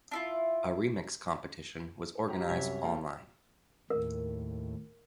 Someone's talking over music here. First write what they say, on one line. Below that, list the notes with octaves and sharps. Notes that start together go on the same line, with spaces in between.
A remix competition was organized online.
D4 E4 F4
C3 F#3 G4 F#5 A#5
C2 F#2 G3 C#5 E5 B5
A#3 A4 F5 G5
D#2 A2 A#4